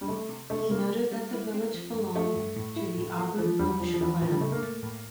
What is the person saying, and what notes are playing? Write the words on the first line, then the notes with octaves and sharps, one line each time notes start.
He noted that the village belonged to the Abu Ghosh clan.
G3
C3 A3
C3
C3 A3
C3 A#3
G3
G3
E4
C4
F3
G2
A3 G4
G2
A2
E4
A2
A#3
E3 F3
E2 G3
E2 F3
F3
E2 E3
A2 F3
G3
A2 A3
A#3
A3
A2